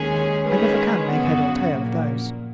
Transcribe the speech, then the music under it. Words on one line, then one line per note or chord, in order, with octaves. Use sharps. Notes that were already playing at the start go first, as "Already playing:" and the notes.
I never can make head or tail of those.
Already playing: D#2 D#3 G#3 C#4 G#4
D#3 G#3 C#4 G#4 B4
F#2 C#3 F#3 B3 F#4
A#1 A#2 A#3